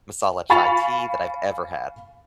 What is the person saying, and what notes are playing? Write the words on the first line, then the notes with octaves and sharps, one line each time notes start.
masala chai tea that I've ever had.
F5 G#5 B5 C#6 A6 F7